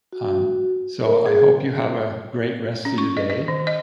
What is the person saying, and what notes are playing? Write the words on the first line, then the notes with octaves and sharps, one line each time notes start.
Um, so, I hope you have a great rest of your day
F#4
A#4
G#4
C#4
C#6
D#5
D#5
D#3
D#5